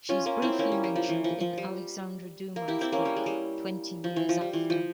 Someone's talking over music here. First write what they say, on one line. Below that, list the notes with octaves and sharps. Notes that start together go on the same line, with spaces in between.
She is briefly mentioned in Alexandre Dumas' book "Twenty Years After".
C#4 F4
A#3 C#4
C4 E4
A#3 C#4
G3
G3
F3
E3
F3
F3
G3
A#3
E4 G4
C4 E4
A#3 C#4
G3
G#3
G3
F3
E3
F3
G3
E3
F3